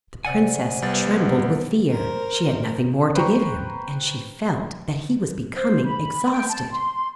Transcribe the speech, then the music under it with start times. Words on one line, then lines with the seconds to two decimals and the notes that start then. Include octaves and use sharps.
The princess trembled with fear; she had nothing more to give him, and she felt that he was becoming exhausted.
0.25 C3 D5 F#5 G#5
0.82 C2 G3 B3 A6
1.89 A#4 C5
3.15 B4 C5 G5 A#5 C#6
5.54 C5
5.84 B5
6.30 G5
6.49 A5
6.71 C6